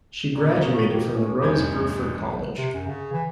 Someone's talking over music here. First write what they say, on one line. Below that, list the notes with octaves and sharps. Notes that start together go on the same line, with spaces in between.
She graduated from the Rose Bruford College.
A#2 D5
B2 A#3 C#4
F#4
G4
C#4
F1 E2 G2 G6 G#6
C3
F#2
C#3
E3